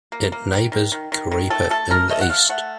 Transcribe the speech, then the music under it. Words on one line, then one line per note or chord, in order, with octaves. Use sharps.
It neighbours Karepa in the east.
A#3
A#3
D#3
D#3
D#3
D#3
D#3
A3 A4
A3 A4
A3 A#4
A3 D#5
F#5
A3 F5
A3 F#5